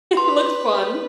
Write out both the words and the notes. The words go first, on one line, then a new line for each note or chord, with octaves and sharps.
looks fun
B4 C6